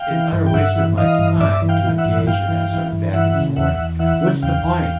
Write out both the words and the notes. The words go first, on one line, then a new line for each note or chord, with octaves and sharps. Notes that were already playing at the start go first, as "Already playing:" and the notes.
an utter waste of my time to engage in that sort of back and forth. What's the point?
Already playing: F5 G5
E3
G2
G5
G2 E5 F#5
E3
E3 D#5 F5
G2
G2 D5 E5
E3
F5 G5
E3
E5 F#5
G2
G2 F5 G5
E3
E3
G2
E3 E5 F#5
C#3
E2 E5 F#5
E2
E3 E5 F#5
C#3
E2 F5 G5
E2